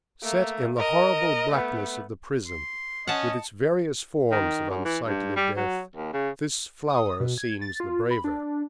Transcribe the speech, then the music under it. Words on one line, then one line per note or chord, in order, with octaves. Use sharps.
Set in the horrible blackness of the prison, with its various forms of unsightly death, this flower seems the braver.
A3 A#3
A#4 D#5
A3 B3
C6
C#4 D#5 F#5 A5
D#3
F#2
E3
G2
G3
F#3
D#2
C#3
D#6
B2
G#6
A6
F4
B5
D4